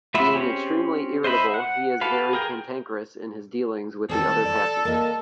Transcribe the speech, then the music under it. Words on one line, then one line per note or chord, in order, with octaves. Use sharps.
Being extremely irritable, he is very cantankerous in his dealings with the other passengers.
A3 B3 F4 E5 B5
C4 C#4 G4 G#4
C5 D#5 E5 B5
F#5
F#4 G4 A4 B4 F5
G#4 A#4 G5
D#3 G3 C4 A4
D5
A#3 D#5